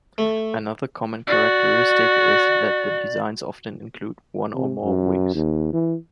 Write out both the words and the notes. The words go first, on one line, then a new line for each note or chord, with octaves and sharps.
Another common characteristic is that the designs often include one or more wings.
A3
F#4 D5
C3
F#2
D#2
E3